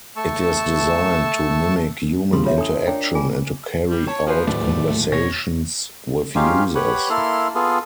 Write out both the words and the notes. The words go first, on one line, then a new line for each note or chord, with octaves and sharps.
It is designed to mimic human interaction and to carry out conversations with users.
A3 A5 C#6 E6
C#3 G3 C6
F4 C#5 E5
D4 A4 D#6
D4 A#4 C#5 G5
F4 G#4 G#5
G3
C#5 A5
F3 F#4 B4 C5
D1 D#2 A3 D5
B2 C#5 A#6
G#3 C#4 D#4 F4 G4 F5
G4 B4 C#5 F#5
A#3 E4 A4 C6 F6
B3 F4 G#4 A4